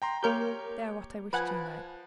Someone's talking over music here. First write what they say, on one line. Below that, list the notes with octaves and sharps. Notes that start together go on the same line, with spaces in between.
They are what I wish to unite!
G5 A#5 C6
A#3 G4 A#4 C#5 G6
F3 B4 F#5 G#5